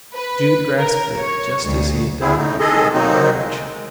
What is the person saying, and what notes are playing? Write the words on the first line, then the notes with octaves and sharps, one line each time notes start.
Jude grasped it--just as he had done before her marriage.
B4
A#4
C#5
D2
B3 C4 E4 G#4
A2 A3 D#4
D#3 G#3 G#4 A4 D#5
D#3 F#3 A#3 C4 D#4
G#3